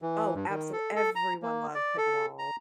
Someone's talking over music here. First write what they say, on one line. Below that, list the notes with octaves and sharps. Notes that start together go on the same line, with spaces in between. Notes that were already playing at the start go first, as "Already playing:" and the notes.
Oh, absolu everyone loves pickleball.
E3
G2
D#3
A4
A4
A#5
A#3
D5
A4
A#5